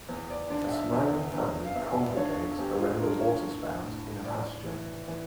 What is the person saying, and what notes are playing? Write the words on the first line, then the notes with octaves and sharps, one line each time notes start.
A smiling family congregate around a water spout in a pasture.
E2
D5
D3 D5
E5
E2
E2
F5
E2 E5
D5
D3 C#5
A4
A4
E2 G4
F4
D3 A#4
C#5
A2
A2
A2 D5
E3
E3